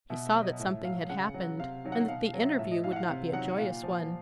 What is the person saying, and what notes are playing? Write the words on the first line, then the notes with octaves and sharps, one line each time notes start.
He saw that something had happened, and that the interview would not be a joyous one.
B2 E5
E5
F#3
D#5
A2 E5
F#3 F5
C#3 F#5
F#3
C3 F5
D#3 F#3
F#5
B2 F5
F5
F#3
E5
A2 E5
D#5
E3 F5
F#5
F5
C3 F5
D#3 F#3 F#5
A#2 F5
F3